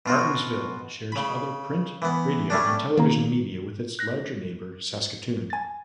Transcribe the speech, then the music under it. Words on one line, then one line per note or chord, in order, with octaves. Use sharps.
Martensville shares other print, radio and television media with its larger neighbour, Saskatoon.
B2 F4 F#4
C#3 B5
E3 B3
G3 A3 C#4 D4
D#3 A#3 A#5
F#6 A#6
G#5 A6